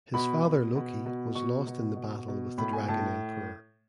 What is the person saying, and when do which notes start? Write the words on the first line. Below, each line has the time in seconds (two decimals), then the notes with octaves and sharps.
His father Loki was lost in battle with the Dragon Emperor.
0.14 B2 B5
0.44 B2
0.75 B2
1.06 B2
1.35 B2 C#6
1.67 B2
1.96 B2
2.28 B2
2.58 A2 B5
2.73 G#5
2.88 A2 A5